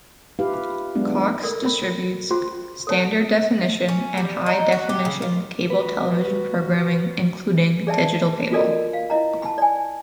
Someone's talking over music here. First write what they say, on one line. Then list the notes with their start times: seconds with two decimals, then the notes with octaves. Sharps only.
Cox distributes standard definition and high-definition cable television programming, including Digital Cable.
0.39 E4 F4 G4 B4 F5
0.95 F#3 G#3 B3 D4 E4
1.14 D#3 E4
1.42 A4 A#4 D5
1.65 C#4 B5
2.30 C#4 F4 F#4 G#4 C5
2.87 A4 C#5 A5
3.89 C#4
4.17 G3
4.46 D#4
4.72 F#4
4.89 G4
5.05 C#3
5.22 F4
5.70 F#4 B4
7.87 G#4 D5 E5 A5
8.52 F4 F#4 A4 A#4 D5 D#5
8.93 F5
9.10 E4 D#5 A#5
9.42 A5 B5
9.58 D5 G#5